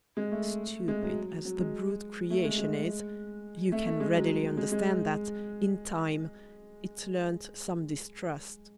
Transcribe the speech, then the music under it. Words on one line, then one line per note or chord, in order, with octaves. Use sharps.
Stupid as the brute creation is, you can readily understand that, in time, it learnt some distrust.
G#3
A3
G#3
F#3
F#3
G#3
A3
G#3
G#3
A3
A3
G#3
F#3
G#3
G#3